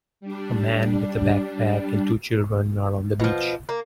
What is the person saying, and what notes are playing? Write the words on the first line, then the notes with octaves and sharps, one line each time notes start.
A man with a backpack and two children are on the beach.
G3 D4
B2 F3
A#3